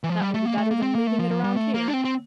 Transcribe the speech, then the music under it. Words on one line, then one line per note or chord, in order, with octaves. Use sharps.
That will be better than leaving it around here.
E3
F3
G3
A3
A#3
A3
A#3
C4
A#3
A3
F3
F3
G3
A3
A#3
D4
C4
C4